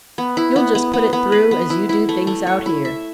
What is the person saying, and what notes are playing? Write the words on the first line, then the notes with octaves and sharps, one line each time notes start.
You'll just put it through, as you do things out here.
B3
E4
B3
B3
B3
B3
B4
B3
E4
E4
A3
A3
C#5
E4
E5